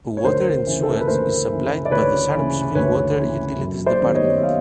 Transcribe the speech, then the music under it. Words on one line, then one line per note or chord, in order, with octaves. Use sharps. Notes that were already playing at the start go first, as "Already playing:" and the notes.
Water and Sewage is supplied by the Sharpsville Water Utilities Department.
C#5
D2 A#4 C5
C#3 E3
A4
A#4
B4
D2 A#4 C5
C#3 E3
D5
D2 B4 C#5
C#3 E3
D2 B4 C#5
C#3 E3
F#2
C5 D5
D#3 G3 B3
C#5 D#5
E5
D#5 F5